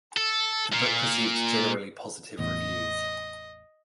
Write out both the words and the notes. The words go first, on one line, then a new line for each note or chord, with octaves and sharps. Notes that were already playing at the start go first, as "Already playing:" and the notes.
The book received generally positive reviews.
A4
A#2
A1 E2 D#5